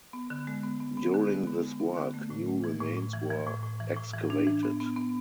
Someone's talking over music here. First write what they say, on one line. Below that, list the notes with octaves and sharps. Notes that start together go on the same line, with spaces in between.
During this work new remains were excavated.
B3
D3
G#3
B3
B3
B3
D3
G#3
B3
G#3
B3
D3
A3
A2
A3
E3
A2
A2
E3
E3
A2
A2
E3
A2
E3
D4
E3
B3
B3
B3